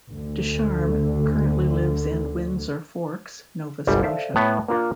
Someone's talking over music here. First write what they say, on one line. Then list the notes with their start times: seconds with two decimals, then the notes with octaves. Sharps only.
Ducharme currently lives in Windsor Forks, Nova Scotia.
0.13 D2 D3
3.87 G1 C2 G#2 G3
4.03 A4 C5 D5 E5 F5 A5
4.36 A2 B3 C#5
4.68 A#3 D4 F4 A#4